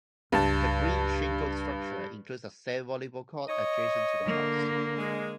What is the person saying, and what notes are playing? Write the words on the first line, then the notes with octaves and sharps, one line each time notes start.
The green-shingled structure includes a sand volleyball court adjacent to the house.
C#2 G2 A5
C#5 D#5
D3 A#3
G#3